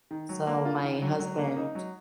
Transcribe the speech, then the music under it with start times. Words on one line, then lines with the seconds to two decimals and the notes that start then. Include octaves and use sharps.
so, my husband,
0.11 D#3
0.29 F#3
0.47 A#3
0.65 F4
0.84 D#3
1.02 F#3
1.19 F#3
1.38 A#3
1.56 D#4
1.75 F#3